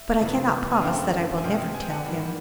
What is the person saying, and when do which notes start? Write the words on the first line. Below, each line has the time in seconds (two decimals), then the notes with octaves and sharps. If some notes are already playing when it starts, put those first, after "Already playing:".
"But I cannot promise that I will never tell him."
Already playing: E5
0.20 F2 C3 E3 G3 B3
0.71 G#5
0.81 F#2 D3 F3 A3 C4 F5 G5
1.38 G#5
1.44 B2 G#3 C4 F5 G5
1.74 G#5
1.82 G5
1.90 F#5 G#5
2.05 G#2 E3 G3 A#3